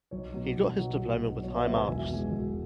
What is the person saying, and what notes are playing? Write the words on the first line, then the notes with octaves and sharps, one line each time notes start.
He got his diploma with high marks.
B1 C#5
B2 F#3
B1
B2 F#3
B1
B2 F#3
B1 C#5
B4 E5
B2 F#3 B4 E5
E5 G#5
E1
E2 B2 G#3
E1